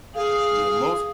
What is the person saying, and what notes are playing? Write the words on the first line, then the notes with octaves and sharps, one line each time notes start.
Yeah, most
G#4 F5